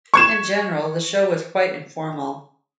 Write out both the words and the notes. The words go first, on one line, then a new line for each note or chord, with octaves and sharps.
In general the show was quite informal.
C#6 G#6 E7